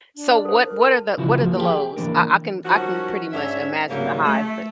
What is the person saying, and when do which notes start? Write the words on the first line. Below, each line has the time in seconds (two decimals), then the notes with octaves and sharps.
So, what what are the what are the lows? I I can I can pretty much imagine the highs, but
0.15 D4
0.45 A4 C5
0.64 A#4
0.81 A5
1.18 C#3 E3 F3 E4 F#4
1.42 F3 A#3
1.57 G4 G#4 B4 G5
1.97 E3 A#3 D4 A#4
2.65 D#3 F3 G3 C#4 F#4
3.32 G#2 C#4 D4 E5
3.89 G#2 C#3 F#3 G3 A3 A#3
4.25 A3